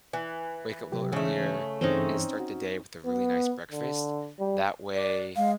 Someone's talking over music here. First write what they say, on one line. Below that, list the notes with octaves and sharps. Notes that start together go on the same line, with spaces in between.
wake up a little earlier and start the day with a really nice breakfast. That way
E3
C3 F#3 G4
C#3 E3 A3 C#4
G2 E3 C4 C#4 D#4
F#4
B3
D3
G3
D5
G#3 F5